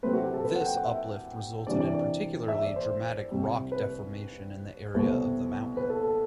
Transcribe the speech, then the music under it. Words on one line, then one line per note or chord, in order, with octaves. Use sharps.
This uplift resulted in particularly dramatic rock deformation in the area of the mountain.
C3 F#3 A3 C4 B4
F#4
G4
A4
B4
F#5
G5
F#5
E5
C3 E3 G3 D4 D5
D5
D5
E5
D5
C5
C2 C3 G3
B4
C2 B2 A3 C4 B4
B4
A4
A4